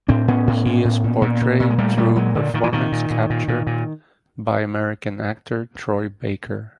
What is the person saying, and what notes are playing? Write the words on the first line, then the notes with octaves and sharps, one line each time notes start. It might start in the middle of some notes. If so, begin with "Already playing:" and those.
He is portrayed through performance capture by American actor Troy Baker.
A2 C4 D4
A2 B3 C#4
A2
A2
A2
A#2
A#2
A#2
A#2
G#3
A#2 G3 A3
A#2 G3 A3
A#2 F#3 G#3
A#2 D3
A#2 D#3
E3
A#2 D#3
A#2
A#2
A#2
A#2
A#2